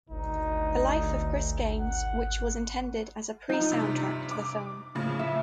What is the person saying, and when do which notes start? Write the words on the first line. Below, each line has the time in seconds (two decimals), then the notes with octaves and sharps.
The Life of Chris Gaines, which was intended as a 'pre-soundtrack' to the film.
0.10 G#1 D2 D#4
1.79 F#5
3.49 F3 D#4 A#5
3.70 G2 C3
4.31 D6
4.95 A2 C#3 F3
5.19 E5